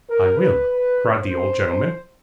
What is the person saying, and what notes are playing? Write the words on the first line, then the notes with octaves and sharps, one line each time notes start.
'I will!' cried the old gentleman.
A#4
B4
C5